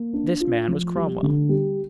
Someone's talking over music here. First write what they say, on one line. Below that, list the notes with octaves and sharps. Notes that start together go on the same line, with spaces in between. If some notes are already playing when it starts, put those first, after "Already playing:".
This man was Cromwell.
Already playing: A#3
D4
F4
F3
G3
D3
G3